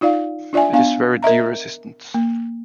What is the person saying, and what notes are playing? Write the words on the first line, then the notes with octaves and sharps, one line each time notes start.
It is very deer-resistant.
D#4 F4 D5 F5
D4 F4 D5 E5 G#5
B3 D4 F5 G#5
A#4 D#5 E5 A#5
A#3